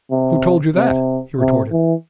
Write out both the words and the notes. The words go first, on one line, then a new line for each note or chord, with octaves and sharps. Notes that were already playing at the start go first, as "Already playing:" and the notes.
"Who told you that?" he retorted.
C3
C3
C3
E3